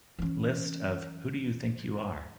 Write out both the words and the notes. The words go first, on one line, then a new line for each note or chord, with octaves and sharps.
List of Who Do You Think You Are?
E3 C#4